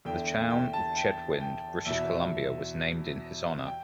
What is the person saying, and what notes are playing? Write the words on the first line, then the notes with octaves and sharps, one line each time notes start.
The town of Chetwynd, British Columbia was named in his honor.
E2 D3 G5
G5
A5
G5
G5
E2 B2 E5
G5